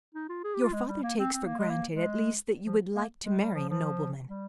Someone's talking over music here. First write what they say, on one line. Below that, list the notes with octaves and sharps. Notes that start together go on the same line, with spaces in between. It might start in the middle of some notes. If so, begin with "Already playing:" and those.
"Your father takes for granted at least that you would like to marry a nobleman."
D#4
F4
G#4
G4
F4
G#3
G3
A#3
C4
C4
A#3
G#3
A#3
G#3
F3
A#3
G#3
G3
F3
F3
G3